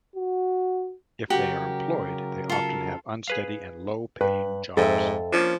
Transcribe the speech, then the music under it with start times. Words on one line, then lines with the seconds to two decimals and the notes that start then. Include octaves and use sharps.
If they are employed, they often have unsteady and low-paying jobs.
0.16 F#4
1.30 C#3 F#3 F#4 G4 A#4 G5
2.49 F4 A4
3.28 G#4 B4 F5
4.21 G2 B4
4.77 F2 G#2 A4 E5
5.33 F3 A#3 C#4 D4